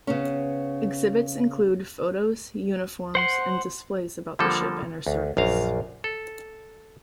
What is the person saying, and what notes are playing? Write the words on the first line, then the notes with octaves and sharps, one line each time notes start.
Exhibits include photos, uniforms, and displays about the ship and her service.
C#3 B3 C#4
C5 F#5 C6
D3 F3 G3 A#3 A4
D2
A#1 F#2 F5 A#5
A4